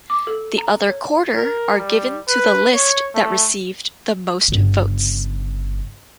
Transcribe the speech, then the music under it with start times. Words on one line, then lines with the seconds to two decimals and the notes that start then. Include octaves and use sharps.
The other quarter are given to the list that received the most votes.
0.10 D6
0.27 A4
0.58 A#5
0.89 C#5
1.36 A#4
1.77 G3
2.28 B4
2.74 C#5
3.14 A3
4.48 G1 C#3